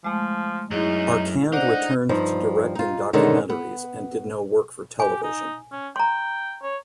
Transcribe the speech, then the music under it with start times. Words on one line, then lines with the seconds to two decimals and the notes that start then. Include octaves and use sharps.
Arcand returned to directing documentaries and did no work for television.
0.05 F3 G#3 A3
0.71 F#2 D#4 E4 G#4
1.53 D4 D#4 C5 D5 F#5
2.09 G2 F3 D#4
2.75 D#4 F4
3.13 B2 D3 D#3 G#3 C#4 D#4
3.49 B3
5.00 G4 G#5
5.23 D#4
5.72 C#4
5.96 G5 A#5 C6
6.62 C#5